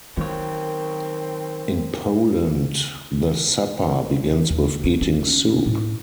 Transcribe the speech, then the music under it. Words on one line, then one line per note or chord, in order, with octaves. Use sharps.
In Poland the supper begins with eating soup.
D#3 F#3 C4 A#4 C#5
D#2
C#4
C#4
A2